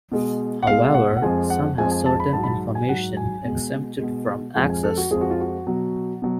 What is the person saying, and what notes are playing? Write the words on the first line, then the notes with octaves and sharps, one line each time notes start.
However some have certain information exempted from access.
B2 G#3
F#5
B2 G#3 F5
F5
F#5
F#5
F2 F3 G#3 G#5
F#5
F2 F3 G#3 G#5
G#5
A5
B5
G#2 F#3 A5
B5
A5
G#5
G#2 F#3 F#5
G#5
B2 G#3
B2 G#3
F2 F3 G#3 G#5
G#5
A4
F#4
F2 F3 G#3 G#4
F#4
F4
F#4
B2 F#3
B2 F#3